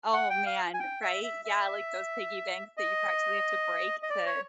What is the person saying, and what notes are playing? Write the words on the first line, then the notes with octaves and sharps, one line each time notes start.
Oh, man, right? Yeah, like, those piggy banks that you practically have to break to
F#5
G5
F5
G#5
G5
E5
E5
E5
D#5
D#5
D5
C#5